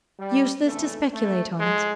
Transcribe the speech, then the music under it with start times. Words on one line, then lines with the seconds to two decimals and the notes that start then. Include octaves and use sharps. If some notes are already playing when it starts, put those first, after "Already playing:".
Useless to speculate on it!
0.19 G3
0.66 F2 C#3 E3 A3
1.13 A3
1.60 A2 F3 G#3